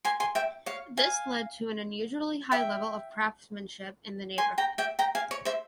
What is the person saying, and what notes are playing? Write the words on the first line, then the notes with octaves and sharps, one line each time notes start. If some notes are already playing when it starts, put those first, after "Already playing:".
This led to an unusually high level of craftsmanship in the neighborhood.
G#5 C6
G#5 C6
E5 G5
C#5 F5
F5 G#5
E5 G5
G#5 C6
G5 A#5
E5 G5
G5 A#5
F5 G#5
C#5
C5 E5